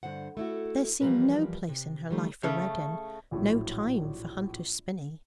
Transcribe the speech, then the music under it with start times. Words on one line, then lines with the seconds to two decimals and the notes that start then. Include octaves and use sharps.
There seemed no place in her life for Reddin, no time for Hunter's Spinney.
0.03 G2 D3 C5 F#5
0.37 A3 E4 F#4
1.01 E3 F3 G3 G#3 A#4 B4
1.69 C3
2.10 D#3 G3 A3
2.43 C#3 A3
3.31 A#1 A2 F#3